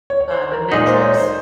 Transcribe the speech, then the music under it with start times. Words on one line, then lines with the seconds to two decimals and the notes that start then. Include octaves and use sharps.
uh, the metrics
0.10 C#5
0.21 C#5
0.31 C5
0.52 A#4
0.72 A#2 G#3 D#4 A#4
0.87 C5
1.02 C#5
1.17 C5